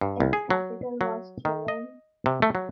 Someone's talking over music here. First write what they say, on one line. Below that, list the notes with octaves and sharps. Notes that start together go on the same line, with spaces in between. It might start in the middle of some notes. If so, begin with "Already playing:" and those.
Its capital was Turin.
G2
C2
G#4
F#3
F#3
D#3
D#5
C3
A3
F#3